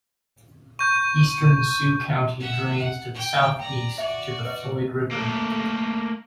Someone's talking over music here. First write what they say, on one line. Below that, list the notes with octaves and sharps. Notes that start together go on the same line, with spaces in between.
Eastern Sioux County drains to the south east to the Floyd River.
C#6 G6
E5 F#5
F#5
G5
D5 G5 A#5
F#4 D5 E5
B4 D#5
A3 A#3